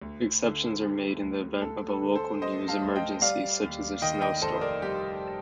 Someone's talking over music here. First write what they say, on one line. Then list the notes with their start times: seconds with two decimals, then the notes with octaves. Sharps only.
Exceptions are made in event of a local news emergency such as a snowstorm.
0.02 D2
0.42 D3
0.81 G3
1.22 D2
1.62 D2 A4
1.88 A4
2.02 D3
2.15 A4 C5
2.41 G3 C5 D#5
2.68 F5 A5
2.82 D2
2.95 D#5 G5
3.21 G3 D5 F5
3.62 D#2
4.02 D#3 D#5 G5
4.21 D#5 G5
4.42 F1 A4 C5
4.61 A#4 D5
4.82 G3 G4